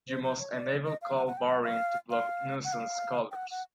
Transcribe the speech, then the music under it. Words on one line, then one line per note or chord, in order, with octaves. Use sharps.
You must enable call barring to block nuisance callers.
C5
C5
C#5
D5
D#5
F5
F#5
F#5
G5
F#5
F5
F5
F#5
F5
G5
F#5
F#5